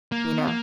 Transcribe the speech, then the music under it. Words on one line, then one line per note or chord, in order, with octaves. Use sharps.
you know,
A#3
B3
A#3